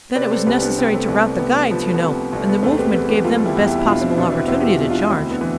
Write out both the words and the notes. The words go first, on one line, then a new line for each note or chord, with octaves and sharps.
"Then it was necessary to rout the guides, you know, and the movement gave them the best possible opportunity to charge."
C3 B4 D5
A4 C5
C2 G4 B4
B3 D4
C3 C4
B3
A3 C4
C2
C3 B3
F3 B3
A3
B3
C3
C2 A3
B3
E2 A3 C4
C5
G4 B4
E2 G4 B4
G4 B4
G3 F4 A4
E4 G4
E2
E4 G4
E4
B2 D4 F4
C4 E4
B2 B3 D4
C4 E4
E2 C4 E4
G4
D4 F4
B2
D4 F4
D2 C4 E4
B3 D4
E3